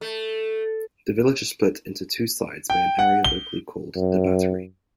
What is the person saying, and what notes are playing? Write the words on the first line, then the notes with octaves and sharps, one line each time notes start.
The village is split into two sides by an area locally called 'The Battery'.
A3
G5
F#5
G7
F#2